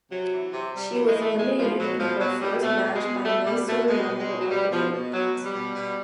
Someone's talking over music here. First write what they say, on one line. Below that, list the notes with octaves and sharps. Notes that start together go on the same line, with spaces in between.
She was eliminated in her first match by Mae Soriano of the Philippines.
C3 F#3
E3
C3
C3 G3
E3 F#3
G#3
E3 A3
B2 G#3
B2 F3
B2 F#3
B2 F3
B2 F#3
B2 G3
B2 A3
B2
G#3
B2
B2 A3
B2 G3
B2 A3
B2 G#3
B2
G#3
B2
F#3
B2 G3
B2 F3
B2
B2 F#3
B2
G3
B2
B2